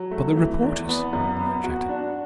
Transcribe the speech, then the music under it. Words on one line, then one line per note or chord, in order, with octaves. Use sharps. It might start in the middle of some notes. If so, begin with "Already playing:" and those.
"But the reporters," I objected.
Already playing: F#3
A3
E3
E2
B3
F#2
B3
F#4
D4